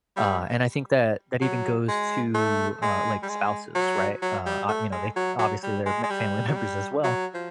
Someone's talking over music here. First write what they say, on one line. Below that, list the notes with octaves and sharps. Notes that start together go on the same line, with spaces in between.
Uh, and I think that, that even goes to, uh, like, spouses, right? Uh, ah, you know, they obviously, they're m family members as well,
G3
F#3
G#3
A3
G#3
G3
G#3
F#3
F#3
G3
A3
G#3
F#3
F#3
G3
G#3
G#3
G3
F#3
G3
F#3
F3